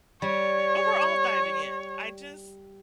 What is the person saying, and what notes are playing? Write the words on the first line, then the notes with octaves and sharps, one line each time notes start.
overall diving in, I just
G3 C#5